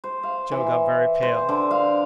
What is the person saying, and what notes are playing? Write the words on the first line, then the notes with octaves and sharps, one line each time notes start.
Joe got very pale.
C5
F5
E3
C5
D3
F5